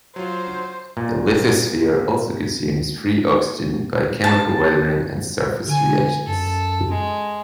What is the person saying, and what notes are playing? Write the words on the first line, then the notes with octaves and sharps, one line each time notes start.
The lithosphere also consumes free oxygen by chemical weathering and surface reactions.
F#3 F4 C5
A#2
A5
D3 G#5
F#2 A4
G#3